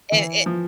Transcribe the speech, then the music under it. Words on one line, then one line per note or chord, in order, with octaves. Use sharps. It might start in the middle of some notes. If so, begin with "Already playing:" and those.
and and
E3
F3